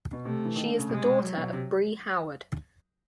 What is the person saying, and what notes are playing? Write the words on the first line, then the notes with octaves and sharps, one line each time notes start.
She is the daughter of Brie Howard.
B2
C3 A3
E3
D#3
D3
C#3
C3 G#3
B2
F#3
B2
C3